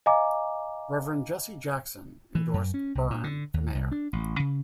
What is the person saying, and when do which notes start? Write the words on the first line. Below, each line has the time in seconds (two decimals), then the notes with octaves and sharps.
Reverend Jesse Jackson endorsed Byrne for mayor.
0.06 D#5 F5 G#5 A#5 D6
2.35 E3
2.54 F#2
2.74 C#4
2.95 C2
3.10 A#2
3.24 D3
3.54 D#2
3.75 C2
3.92 D4
4.13 A1
4.39 C#3